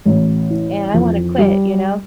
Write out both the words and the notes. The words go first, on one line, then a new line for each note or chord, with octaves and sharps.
and I wanna quit, you know?"
A1
E3
F2
G3